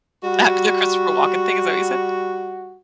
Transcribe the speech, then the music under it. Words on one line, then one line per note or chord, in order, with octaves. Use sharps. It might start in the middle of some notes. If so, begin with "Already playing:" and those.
Uh, the Christopher Walken thing, is that what you said?
G3 F#4